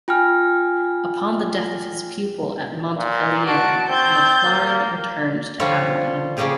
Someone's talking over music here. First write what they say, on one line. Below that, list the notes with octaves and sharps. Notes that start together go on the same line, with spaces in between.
Upon the death of his pupil at Montpellier, Maclaurin returned to Aberdeen.
F4 G5 G#5 F6
A#2
F#4 A5 D7
C4 G6 A6
A#3
D3 F3 G3 F4 C#5
C#3 F3 A#3 C#4 G4 G#4